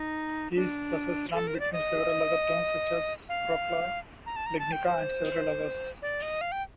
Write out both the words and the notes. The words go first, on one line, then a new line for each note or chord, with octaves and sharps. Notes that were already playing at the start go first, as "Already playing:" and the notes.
These buses run between several other towns such as Wroclaw, Legnica and several others.
Already playing: D#4
D4
A4
A#4
C5
D5
D#5
F5
A#5
A5
A#5
A5
G5
C5
D5
D#5
F5
G5